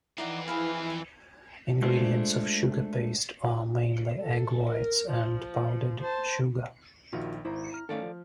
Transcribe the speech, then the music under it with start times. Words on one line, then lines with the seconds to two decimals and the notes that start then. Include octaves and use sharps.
Ingredients of sugar paste are mainly egg whites and powdered sugar.
0.18 F2 E3 C4 D#4 E4 D5 F#5
0.48 G#4 B4 F5
1.81 G#3 A3 D4 F4 G#4 C5
4.21 A4
4.67 A#4
5.10 F3
6.00 C5 A5
7.13 A#1 D#3 F4 F#4 E5
7.45 G#1 E4 C5 A#5
7.73 A#5 F6
7.89 D#3 A3 C#4 A4 D5 F5
8.02 F3